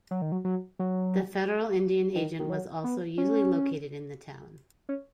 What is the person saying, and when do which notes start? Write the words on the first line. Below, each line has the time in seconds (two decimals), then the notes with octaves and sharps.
The federal Indian Agent was also usually located in the town.
0.11 F#3
0.22 D#3
0.32 F#3
0.45 F#3
0.79 F#3
2.16 D#3
2.39 D#3
2.50 F#3
2.84 B3
3.18 C#4
4.89 C#4